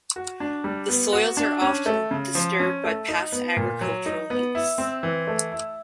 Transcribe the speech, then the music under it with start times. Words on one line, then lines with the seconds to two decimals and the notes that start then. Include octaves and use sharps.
The soils are often disturbed by past agricultural use.
0.16 F#4
0.40 D4
0.64 G3
0.89 B3
1.13 F#4
1.37 D4
1.61 C#4
1.86 A3
2.11 C#3
2.35 F3
2.60 C#4
2.84 A3
3.09 D#4
3.32 B3
3.57 A#2
3.81 F#3
4.06 D#4
4.30 B3
4.55 E4
4.78 C4
5.03 E3
5.27 A3
5.52 E4